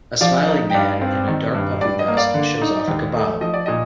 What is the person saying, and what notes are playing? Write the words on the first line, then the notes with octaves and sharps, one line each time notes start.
A smiling man in a dark puffy vest shows off a kebab.
F3 D5 F5
D#4
G5
G2 D5 F5
C4
D#3
G2
G2 D5
D#5
A#3
D5 F5
D3
D#4
D#2
A3
F3 D#5
D5
A#2 D#5